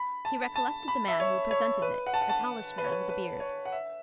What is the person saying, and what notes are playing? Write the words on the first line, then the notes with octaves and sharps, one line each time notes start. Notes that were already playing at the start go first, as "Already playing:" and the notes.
He recollected the man who had presented it, a tallish man with a beard.
Already playing: B5
A5
A5
B5
E5
C#5
C#5
B4
F#5
A5
F#5
A5
B4
C#5
B4
B4
C#5
F#5
E5